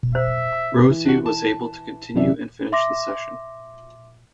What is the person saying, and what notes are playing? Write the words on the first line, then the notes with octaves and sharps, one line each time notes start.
Rossi was able to continue and finish the session.
C5 E5
E3
D4 F#4
A5
F#2 E3 D5 E5
E5 C6 D6 A#6